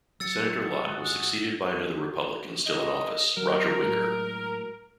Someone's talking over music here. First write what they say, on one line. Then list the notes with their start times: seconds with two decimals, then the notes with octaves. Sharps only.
Senator Lott was succeeded by another Republican still in office, Roger Wicker.
0.20 F#3 E6 A6 C#7
0.87 G1 G#3 F#4 G#4 F#5
2.66 C#3 D#5
3.37 F#3 A#4
3.82 A2 F#3 G#3